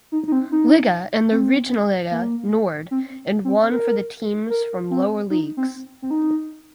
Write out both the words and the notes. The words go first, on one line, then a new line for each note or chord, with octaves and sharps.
Liga and the Regionalliga Nord and one for the teams from lower leagues.
D#4
D#4
C4
D#4
C4
A#3
C4
C4
A#4
A#4
C4
D#4
C4
C4
D#4